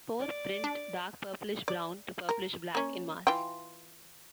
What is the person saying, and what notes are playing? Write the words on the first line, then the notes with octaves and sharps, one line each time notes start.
Spore-print dark purplish brown to purplish black in mass.
D5
D4
D5
A#4
A#3 C#4
E3 F4 G5